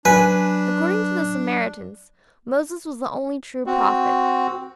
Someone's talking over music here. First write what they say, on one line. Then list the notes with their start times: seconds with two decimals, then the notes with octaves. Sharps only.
According to the Samaritans, Moses was the only true prophet.
0.05 F#3 D4 B4 G#5
3.66 C4 F#4